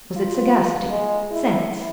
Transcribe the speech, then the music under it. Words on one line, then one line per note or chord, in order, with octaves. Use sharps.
Was it sagacity?--sense?
F4
G#3
E4